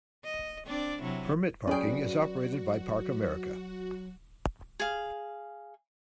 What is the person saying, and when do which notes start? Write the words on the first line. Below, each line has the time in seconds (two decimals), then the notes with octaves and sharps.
Permit parking is operated by ParkAmerica.
0.25 D#5
0.67 C4 D4 D5
1.03 C3 F#3 E4
1.67 F#3 C#4 F#4 G#4 B4 D5 G5
4.80 G#4 F5